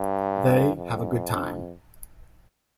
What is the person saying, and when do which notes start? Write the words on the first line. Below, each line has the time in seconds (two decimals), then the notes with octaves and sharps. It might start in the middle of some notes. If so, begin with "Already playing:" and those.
They have a good time.
Already playing: G2
0.76 F2